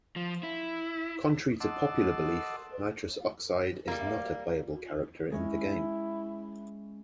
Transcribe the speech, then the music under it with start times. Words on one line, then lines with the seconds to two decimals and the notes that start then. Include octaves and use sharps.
Contrary to popular belief, Nitros Oxide is not a playable character in the game.
0.16 F3
0.43 E4
1.60 D#5 F#5 A5 C6 D6 E6
3.88 G3 A#3
5.31 G#3 C#4 E4